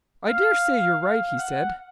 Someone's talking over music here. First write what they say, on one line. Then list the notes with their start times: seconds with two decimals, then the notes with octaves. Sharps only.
"I daresay you're right," he said.
0.27 F5
1.02 F5
1.38 F#5